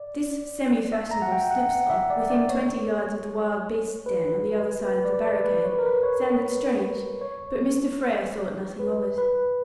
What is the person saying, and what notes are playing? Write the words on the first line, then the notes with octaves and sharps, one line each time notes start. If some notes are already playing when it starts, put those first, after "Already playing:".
This semi-fashionable slip-slop, within twenty yards of the wild beasts' den, on the other side of the barricade, sounded strange; but Mr. Frere thought nothing of it.
Already playing: D5
E5
A#5
F#5
G5
F#5
F#5
E5
D5
D5
C#5
B4
B4
D5
D5
B4
C#5
B4
A#4
B4
C#5
C#5
B4
B4